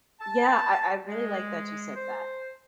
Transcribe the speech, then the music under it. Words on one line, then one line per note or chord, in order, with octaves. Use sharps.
yeah, I I really like that you said that,
A5
G#3
C5